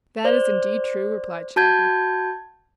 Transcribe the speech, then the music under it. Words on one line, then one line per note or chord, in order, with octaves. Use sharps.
"That is indeed true," replied Shaggy.
C5 D5
F#4 A5 G6 G#6